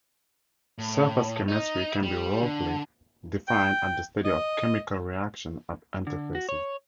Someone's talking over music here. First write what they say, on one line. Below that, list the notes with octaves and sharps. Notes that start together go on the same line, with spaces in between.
Surface chemistry can be roughly defined as the study of chemical reactions at interfaces.
A2
D#4
G3
D3
G5
D#5
D3
F#4
C#5